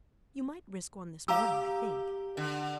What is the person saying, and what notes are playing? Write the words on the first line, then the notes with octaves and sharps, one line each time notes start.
You might risk one this morning, I think.
G4 F5 A#5 E6
D3